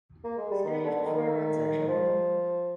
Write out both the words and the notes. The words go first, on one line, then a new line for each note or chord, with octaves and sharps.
Standings after four events are shown below.
A#3
G#3
G3
D#3
D3
D#3
F3